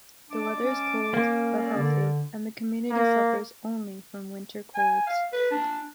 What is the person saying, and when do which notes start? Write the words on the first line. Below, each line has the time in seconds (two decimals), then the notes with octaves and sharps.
The weather is cold, but healthy, and the community suffers only from winter colds.
0.30 G#3 D4 A5 D6
0.62 C#4
1.14 A#3 C#4
1.63 A4 A#4 D5
1.77 D3
2.90 A#3
4.75 G#5
5.07 F5
5.33 B4
5.51 D4